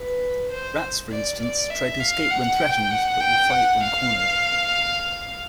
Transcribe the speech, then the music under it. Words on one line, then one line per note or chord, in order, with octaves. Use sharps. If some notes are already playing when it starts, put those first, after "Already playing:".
Rats, for instance, try to escape when threatened, but will fight when cornered.
Already playing: B4
C5
D5
D5
E5
F5
F#5
G5
F#5
G5
F#5
F5